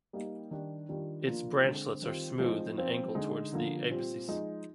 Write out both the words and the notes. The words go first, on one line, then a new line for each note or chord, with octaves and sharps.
Its branchlets are smooth and angle towards the apices.
G3 A#3 D#4
D#3 G3 D4
D#3 G3 D4 F4
F3 A#3 D4 F4
D3 G#3 C4
D#3 G3 C4 F4
F3 G#3 C4 D#4
F3 C4 F4
D3 G#3 D#4
D3 F3 A#3
A#2 G3 C4 F4
F3 G#3 D#4